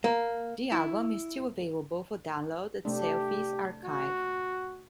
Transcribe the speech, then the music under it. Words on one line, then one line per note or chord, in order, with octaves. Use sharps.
The album is still available for download at Selfies' archive.
A#3
E4
C3 A3 D4 G4
F#4